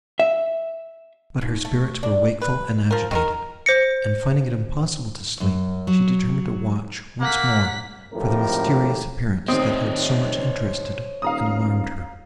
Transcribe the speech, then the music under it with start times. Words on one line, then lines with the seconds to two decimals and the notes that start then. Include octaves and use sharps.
But her spirits were wakeful and agitated, and, finding it impossible to sleep, she determined to watch, once more, for the mysterious appearance, that had so much interested and alarmed her.
0.19 E5
1.41 D#2
1.65 A3
2.03 D4
2.42 B4
2.91 F3 A#4
3.11 D#3 F4 A#4
3.66 C5 A#6 C#7
5.40 F#2
5.87 F#3
7.21 A#3 F#5 B6
8.13 G#1 F2 A2 F3 G4 A#4
9.48 F1 D#2 C4 C5 C#5 D#5 D#6
11.22 D#1 F5 A#5 D#6